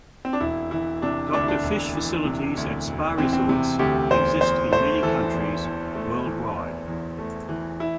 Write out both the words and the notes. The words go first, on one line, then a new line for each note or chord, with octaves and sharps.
Doctor fish facilities at spa resorts exist in many countries worldwide.
C4
D4
E1 E4
E3 E4
C3 D4
D2 D4
E4
D4
E1
E3
C3
D2
E1
E3 C4
C4
C3
D2 G4
E2 C5
E2 C5
A3 C5
E3 A4
E2
E2
A3
E3
E2
E2
A3
E3
E4